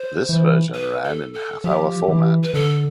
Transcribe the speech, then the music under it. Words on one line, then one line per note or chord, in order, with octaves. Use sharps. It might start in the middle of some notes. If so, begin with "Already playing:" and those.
This version ran in half-hour format.
Already playing: C5
E3
B4
A4
A4
F3 G4
E3
B4
D3 A4